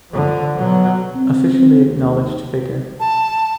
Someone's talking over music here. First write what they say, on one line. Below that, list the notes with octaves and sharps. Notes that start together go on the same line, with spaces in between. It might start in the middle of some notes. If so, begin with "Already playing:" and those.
Officially acknowledged figure.
D3 F3
B2 F#3
C4
C4
D#2
A5